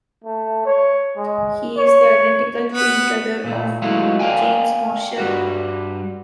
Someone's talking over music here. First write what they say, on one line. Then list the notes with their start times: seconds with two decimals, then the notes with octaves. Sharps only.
He is the identical twin brother of James Marshall.
0.24 A3
0.66 C#5
1.17 G#3
1.78 C#5
2.72 B3
3.44 A#2 A3
3.82 F#3 G#3 A3 E4 F4
4.19 A#4 D5 F5 G5 G#5
5.18 G2 G3 F#4